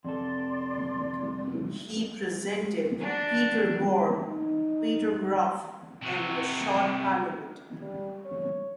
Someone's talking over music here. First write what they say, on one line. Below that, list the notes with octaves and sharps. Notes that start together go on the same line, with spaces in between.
He represented Peterborough in the Short Parliament.
F2 C3 A4 D5 C6
D4 F#4
D#4
C3 F#4
G3
C#5